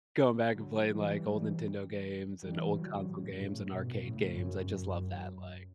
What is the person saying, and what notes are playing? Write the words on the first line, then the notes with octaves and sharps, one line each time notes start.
going back and playing, like, old Nintendo games, and old Console games, and Arcade games, I just love that, like
D3 F#3
E3 G3
E3 G3
D3 F#3
A2 C#3
A2 C#3
G2 B2
A2 C#3
F#2
F#2